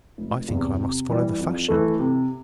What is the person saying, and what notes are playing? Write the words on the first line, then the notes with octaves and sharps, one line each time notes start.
I think I must follow the fashion.
F1
E2 C3
C3
E3 G3
F2
E3 A3
C3